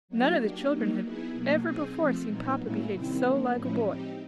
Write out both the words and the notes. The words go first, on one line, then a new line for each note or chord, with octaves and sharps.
None of the children had ever before seen Papa behave so like a boy.
F#3 A#3 D#4 F#4
A#3 D4 G4
F#3 A#3 D#4
B3 E4 G#4
B2 F#3 A#3
C4 D#4 G#4
F3 A3 C4
A#2 F#3 B3 D#4
A2 F#3 A#3 C#4 E4
C3 D#3 G3 C4 E4
F#3 A#3 D4
A2 F3 G#3 C#4 E4
C4 D#4 G4